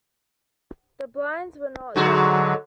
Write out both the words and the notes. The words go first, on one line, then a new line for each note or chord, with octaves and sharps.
The blinds were not down.
G#2 D3 F#3 F#4